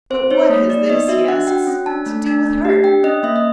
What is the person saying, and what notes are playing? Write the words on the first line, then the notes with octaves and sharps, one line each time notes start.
"But what has this," he asks, "to do with her?"
C4 C5
D#4 C#5
A#3
D#4 D5
B3 D#5
F#4 E5
D4 F#5
F#4 G5
C#4
D4 A5
A3
D4
A3
G4
D4 G5
C#4 D#5
A#3 E5
D#5